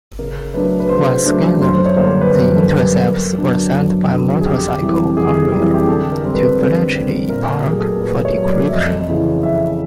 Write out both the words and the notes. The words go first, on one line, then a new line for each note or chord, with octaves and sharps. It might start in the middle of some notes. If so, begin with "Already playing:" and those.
Once gathered, the intercepts were sent by motorcycle courier to Bletchley Park, for decryption.
C#3 A#4
F#3 A3 D4 B4
B4
C#3 C5
F#3 A3 D4
F#2 C5
C#5
D3 G3 A#3 C5
B4
F#2 A#4
A4
D3 G3 A#3
B4
F#2 A#4
D3 F#3 B3 D4
F#2 A4
D3 F#3 B3 D4
G#4
F2 G4
C3 E3 G3
F2 G#4
C3 E3 G3
G4
G#4
D3 A4
A#4
G3 C4
B4
D3
G3 C4
A#2 A#4
G4
F#3 A3 G#4
A4
A#4
A#2 B4
C#5
F#3 A3
D5
E5
F2 D#5
C#3 E3
F2 E5